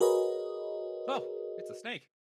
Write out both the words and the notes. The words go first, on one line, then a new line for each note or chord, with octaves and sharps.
Oh, it's a snake!
F#4 G#4 A#4 B4 C#5 D#5